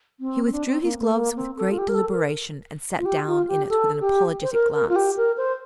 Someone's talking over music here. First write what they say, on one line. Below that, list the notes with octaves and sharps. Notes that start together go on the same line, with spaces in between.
He withdrew his gloves with great deliberation, and sat down in it with an apologetic glance.
C4
C4
D4
C4
A#3
A3
A#3
C4
A4
F4
G4
A#4
A4
A#4
F4
G4
F4
G4
A4
G4
C5
A#4
A#4
F4
G4
A#4
C5